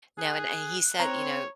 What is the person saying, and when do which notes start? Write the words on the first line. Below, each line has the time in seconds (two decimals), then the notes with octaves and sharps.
Now, and, uh, and he said, you know
0.18 G#4 F#6
1.00 C4 C#5 A#5